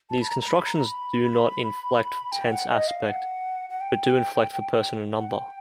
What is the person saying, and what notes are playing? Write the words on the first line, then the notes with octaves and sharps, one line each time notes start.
These constructions do not inflect for Tense-Aspect, but do inflect for person and number.
A5
B5
A#5
A#5
B5
A#5
A#5
B5
G5
F#5
D#5
F5
F#5
F#5
G5
F#5
G5